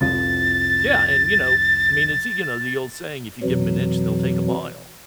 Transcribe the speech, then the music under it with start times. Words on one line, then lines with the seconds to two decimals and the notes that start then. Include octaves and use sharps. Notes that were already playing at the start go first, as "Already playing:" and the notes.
yeah, and, you know I mean, it's you know, the old saying, "If you give 'em an inch, they'll take a mile."
0.01 C2 F2 F3 A6
3.43 F2 B2 E3 F#3